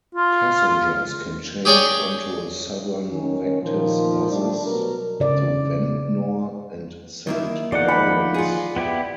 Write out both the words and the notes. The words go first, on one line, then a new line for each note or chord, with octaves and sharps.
Passengers can change onto Southern Vectis buses to Ventnor and Saint Lawrence.
F4
G4 G#4 C#5 D5 G5
D#3 C#4
A#2 D#3 F3
G3 A3 D4
B2 F#3 A#4
C#3 D5
D#3 A#3 E4
F3 D#4 D5 F#5
B5
F4 G#4
B3 E4 G4